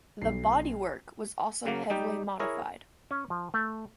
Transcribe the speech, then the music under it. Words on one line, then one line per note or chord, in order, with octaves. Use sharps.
The "bodywork" was also heavily modified.
B1 C7
C#3 F#3 A#3
G3 D#4 G4
E4 G#4 A#4 C#5
C#4
F3
A3